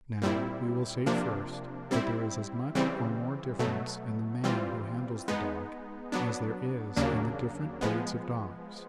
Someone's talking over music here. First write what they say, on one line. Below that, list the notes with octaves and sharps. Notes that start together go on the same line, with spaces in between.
Now, we will say first that there is as much or more difference in the man who handles the dog as there is in the different breeds of dogs.
A#2 G3 C4 E4
C3 F3 A#3 D4
G3 C4 E4
C#3 E3 G3 C4
B2 F#3 A3
E3 G3 C4 F4
G#3 B3 D#4
F#3 B3 D4
D#2 C#3 F#3 A#3 D4
F3 G#3 B3